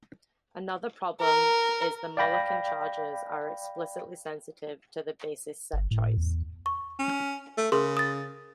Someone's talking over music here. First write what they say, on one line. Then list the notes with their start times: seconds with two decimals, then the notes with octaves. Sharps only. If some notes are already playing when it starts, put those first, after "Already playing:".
Another problem is the Mulliken charges are explicitly sensitive to the basis set choice.
1.21 A#4
2.17 D5 F5 G5 B5 A#6
5.73 G1
5.91 A2
6.17 E2
6.66 C#6
6.99 C#4
7.58 A3
7.72 C#3 G#4 A#4 C6
7.97 D#6 A6